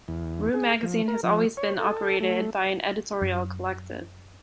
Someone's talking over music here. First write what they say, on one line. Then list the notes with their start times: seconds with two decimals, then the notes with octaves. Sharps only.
"Room" magazine has always been operated by an editorial collective.
0.08 E2
0.54 G#4
0.83 F3
1.08 A#4
1.23 F3
1.57 C#5
1.79 A4
2.21 A3
3.22 F#2